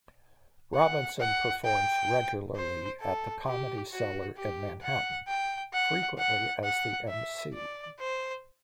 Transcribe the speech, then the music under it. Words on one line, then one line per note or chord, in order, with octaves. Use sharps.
Robinson performs regularly at the Comedy Cellar in Manhattan, frequently as the emcee.
F#5
F#5
G5
C5
A4
G4
F#4
G4
F#5
G5
F#5
F#5
F#5
E5
D5
C5